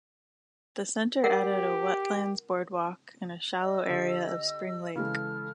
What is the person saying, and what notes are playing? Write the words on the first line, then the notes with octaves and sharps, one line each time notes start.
The center added a Wetlands Boardwalk in a shallow area of Spring Lake.
G4 A#4 F#5
D#5 E6
D3 G4
C#3 E3 G#3 A4 F6